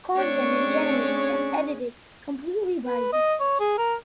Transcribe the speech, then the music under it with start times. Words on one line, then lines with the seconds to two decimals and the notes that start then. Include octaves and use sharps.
Content is generated and edited completely by users.
0.17 A3 C4 D4 C#5 C#6
0.60 C#4 G#4
2.86 B4
3.13 D#5
3.40 C#5
3.60 G#4
3.78 A#4